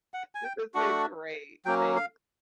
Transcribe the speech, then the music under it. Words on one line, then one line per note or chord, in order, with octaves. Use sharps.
This has been great, thanks.
F#5
G#5
G5
A3 D4 F#4 F#5
F#3 A#3 C#4 G5
F5